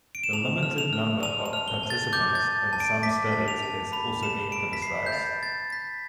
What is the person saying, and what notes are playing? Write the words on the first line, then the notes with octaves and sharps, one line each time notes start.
The limited number of participants in some studies has also been criticized.
D7
E7
A5 F7
F6
F7
F6
A5 F7
F7
F6
G7
A5
A6
D6 G6
A6
A5
A5
D7
D6 B6
A5
F7
A5
B5 F7
B5 E7
B5 D7
B6
B5 C7
G6
B5 A6
G6 A6
G6 B6